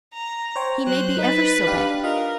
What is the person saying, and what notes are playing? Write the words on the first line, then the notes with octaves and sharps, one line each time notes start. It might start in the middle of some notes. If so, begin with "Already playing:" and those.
He may be ever so bad.
A#5
C5 C#5 G5
F#3 C5 F#6
D#4 B4 A6
D4 G4 F5
F4 A#4 D#5 F5